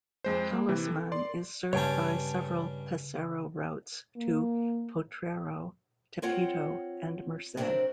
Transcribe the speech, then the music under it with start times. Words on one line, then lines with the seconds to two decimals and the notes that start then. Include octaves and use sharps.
Talisman is served by several Pesero routes to Potrero, Tepito and Merced.
0.24 F2 G#3 C5
0.52 A#3
0.69 C3 E3
0.87 A4
1.12 D5 C6
1.73 G2 C#3 C#4 C#5 G5 A5
4.16 A#3
6.22 C4 F4 C#5 F#5 G5
7.57 C3 F#3 C4 D4 A#4